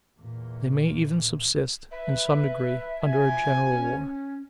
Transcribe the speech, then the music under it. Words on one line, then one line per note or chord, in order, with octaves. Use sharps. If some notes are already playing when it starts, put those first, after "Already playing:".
They may even subsist, in some degree, under a general war.
E2 A#2
B4 E5
F3 F#4 G#5
C#4